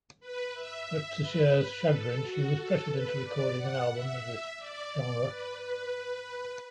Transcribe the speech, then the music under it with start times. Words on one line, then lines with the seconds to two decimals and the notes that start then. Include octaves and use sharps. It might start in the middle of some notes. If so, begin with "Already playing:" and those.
Much to Cher's chagrin, she was pressured into recording an album of this genre.
0.20 B4
0.53 E5
1.20 B4
1.55 B4
1.89 A4
2.22 F#4
2.56 A4
2.90 B4
3.23 D5
3.57 F#5
3.91 E5
4.58 D5
4.92 D5
5.26 B4
5.59 B4